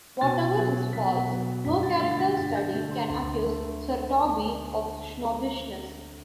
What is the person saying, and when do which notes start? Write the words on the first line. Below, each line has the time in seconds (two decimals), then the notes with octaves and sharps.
Whatever his faults, no character study can accuse Sir Toby of snobbishness.
0.21 B2 A6
0.56 F#3 B3
0.93 B2 B6
1.29 F#3 B3
1.65 G2 B6
1.83 A6
2.01 D3 A3 A6
2.11 A6
2.19 B6
2.37 G2 A6
2.55 G6
2.73 D3 A3
2.91 C6
3.09 D2 C6
3.45 D3 A3